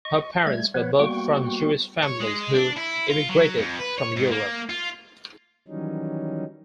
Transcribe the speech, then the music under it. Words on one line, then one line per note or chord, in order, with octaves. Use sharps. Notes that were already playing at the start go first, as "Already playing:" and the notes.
Her parents were both from Jewish families who emigrated from Europe.
D#5 C#6
G3 A3 G#6
F3 B3 B4 C#5
G3 A#3 B3 F#4 G5 C#6
C#5
G#3
D4
E4
F4
F#3
F2
B4
C#5
G#2
A#3
F4
D#3 E3 F#3 G3 C#4 D#4